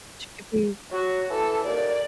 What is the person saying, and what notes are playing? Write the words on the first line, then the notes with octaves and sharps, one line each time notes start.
She could be
F#3 F#4
E3 A4
D#2 D5